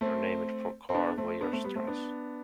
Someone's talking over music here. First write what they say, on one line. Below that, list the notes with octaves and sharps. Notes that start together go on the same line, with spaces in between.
They are named for Karl Weierstrass.
A3 C4
C4
B3 D4
A3 C4
B3 D4
A3 C4
G3 B3
A3 C4
B3 D4